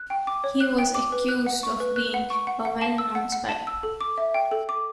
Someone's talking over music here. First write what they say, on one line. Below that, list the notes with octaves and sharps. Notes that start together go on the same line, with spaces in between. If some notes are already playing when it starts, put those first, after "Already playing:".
He was accused of being "a well known spy".
Already playing: F#6
G5
D6
C#5
F#6
G5
D6
B4
F#6
F#5
C#6
B4
F#6
F#5
C#6
F#5
F#5
A5
E6
F#5
F#5
A5
E6
A4
D6
E5
G5
A4
D6